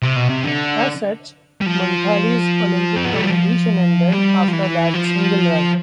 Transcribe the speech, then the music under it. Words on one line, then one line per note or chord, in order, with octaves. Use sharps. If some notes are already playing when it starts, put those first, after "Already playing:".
As such, Munthali's Olympic competition ended after that single run.
C3
B2
C3
D3
G3
F3
C4
B3
A3
G3
F3
G3
F3
E3
F3